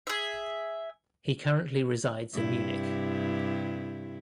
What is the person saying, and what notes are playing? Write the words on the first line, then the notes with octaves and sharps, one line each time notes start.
He currently resides in Munich.
G#4 E5
G2 C3 E4